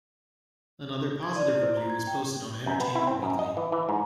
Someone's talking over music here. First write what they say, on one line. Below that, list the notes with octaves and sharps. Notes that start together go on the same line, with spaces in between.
Another positive review was posted on "Entertainment Weekly".
G#6
D5
E4
C5
A#5
G#6
G5
F#2
B3
E4
C4
F#2
D#5
E3
E3
G#2